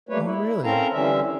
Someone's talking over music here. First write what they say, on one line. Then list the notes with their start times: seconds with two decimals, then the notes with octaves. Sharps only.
Oh, really?
0.09 G3 A3 A#3 B4 C#5
0.25 E4
0.64 C4 C#4 A4 A#4 F5 A#5
0.93 D3 E3 G3 C#4 E5